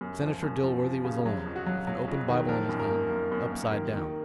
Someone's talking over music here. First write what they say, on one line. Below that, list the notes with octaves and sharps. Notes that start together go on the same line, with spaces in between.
Senator Dilworthy was alone--with an open Bible in his hand, upside down.
F#2
F3
F#2
F3
F3
C#3
F#3
F2
F#4
F#3
F#3
F2
D#3
F3 A#4
F#2
A#4
A#3
F#2
F#2
A#3
D#3
D#3